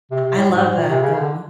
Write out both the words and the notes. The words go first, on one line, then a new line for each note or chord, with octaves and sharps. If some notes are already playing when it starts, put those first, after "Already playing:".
I love that though,
C3
C3
A2
G#2
G#2
A#2
C3
C#3
D3